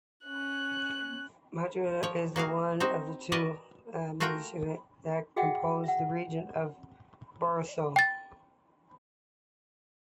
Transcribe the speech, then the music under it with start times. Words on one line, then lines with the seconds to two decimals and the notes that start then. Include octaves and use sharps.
Montalegre is one of the two municipalities that compose the region of Barroso.
0.25 C#4 F#6
2.03 F3 C#5
2.36 A#3 F#4 G#4 F5
2.80 C4 D#4 F#4 C5
3.32 F#4 A#4 B4 D5 D#5 G#5
4.20 A3 F4 F#4 A#4 F#5 G5
5.36 F#4 G#4 D#5 E5 F#5 G5
5.84 E5 F#5
7.96 G5 A6